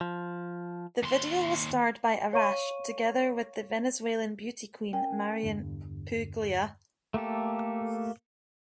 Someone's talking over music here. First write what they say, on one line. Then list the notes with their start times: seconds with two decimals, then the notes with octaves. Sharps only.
The video was starred by Arash, together with the Venezuelan beauty queen, Marianne Puglia.
0.01 F3
1.03 D#2 C6
2.33 C#5 F5 C#6 D#7
4.93 C#4 A#4 G5 G#5
5.43 E2 G2 D3
7.14 A3 A#3 G4 A4